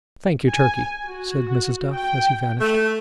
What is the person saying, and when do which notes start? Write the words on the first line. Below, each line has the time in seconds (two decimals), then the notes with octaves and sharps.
"Thank you, Turkey," said Mrs. Duff as he vanished.
0.48 G#5
1.06 F#4
1.93 G5
2.60 A3